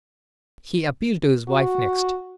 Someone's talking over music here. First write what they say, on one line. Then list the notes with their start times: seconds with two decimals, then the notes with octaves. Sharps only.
He appealed to his wife next.
1.48 F#4